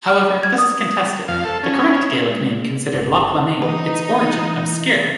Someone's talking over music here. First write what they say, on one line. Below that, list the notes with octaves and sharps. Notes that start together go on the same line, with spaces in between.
However, this is contested, the correct Gaelic name considered "Loch Laomainn", its origin obscure.
F6
G#6
D#6
F2 F5
A4
C#4
G#3
G1 D5
E3 D#4 B4 D#5